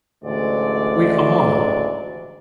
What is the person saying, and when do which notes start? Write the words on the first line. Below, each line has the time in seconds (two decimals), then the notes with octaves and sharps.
We are.
0.24 A1 D2 F#3 G#3 D5